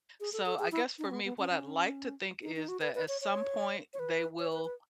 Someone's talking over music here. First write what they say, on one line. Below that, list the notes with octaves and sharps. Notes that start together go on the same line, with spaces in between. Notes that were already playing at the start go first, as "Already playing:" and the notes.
So, I guess for me, what I'd like to think is that, at some point they will
G#4
A4
A4
G#4
E4
D#4
C#4
B3
B3
C#4
C#4
D#4
D#4
F#4
B4
B4
C#5
C#5
C#5
B4
C#5
B4
B4